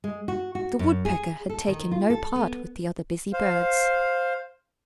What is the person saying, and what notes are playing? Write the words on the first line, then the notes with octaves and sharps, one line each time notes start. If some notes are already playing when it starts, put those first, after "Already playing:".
The Woodpecker had taken no part with the other busy birds.
G#3
F#4
F#4
F#2
G#4
A4
D#3
F4
A4
B3
C5 F5